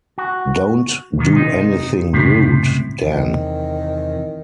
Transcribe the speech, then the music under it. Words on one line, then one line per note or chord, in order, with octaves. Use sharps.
Don't do anything rude, Dan.
F#4
B1 D#3
C3 D#4
C#2 F#2 A2 C3
E2 C3 D#3 E3